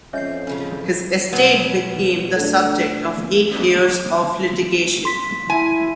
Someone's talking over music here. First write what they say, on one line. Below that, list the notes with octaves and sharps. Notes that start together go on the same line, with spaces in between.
His estate became the subject of eight years of litigation.
F2 C#4 C#5 D#5 E5 G6 C7
A2 C#3 F3 C#4
B2 F#3 B3
A3 D4
C6 B6
E4 G#5